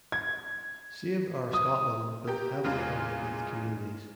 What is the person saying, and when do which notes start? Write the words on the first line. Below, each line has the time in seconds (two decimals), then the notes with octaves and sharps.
Save Our Scotland built heavily on faith communities.
0.12 G#6
1.53 D#6
2.27 G4 A#4 G5
2.64 E2 C#3 G#3 F4 G#4